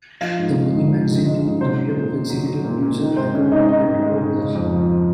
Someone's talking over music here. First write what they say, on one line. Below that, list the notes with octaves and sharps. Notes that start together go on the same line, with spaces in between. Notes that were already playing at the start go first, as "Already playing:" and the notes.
The "Money Magazine" team is made up of executive producer Michael Wong and reporters.
F3 F5
G#2
G#3
G#2
F3
G#2
G#3
G#2
F#3 C5
F#3
A#2
A#2
F#3
F#3
A#2
A#2
D#3
G#2 C5
G#3 C#4
G#2 D#4
D#3 D#4
G#2
G#3
G#2
C#3
F2
F3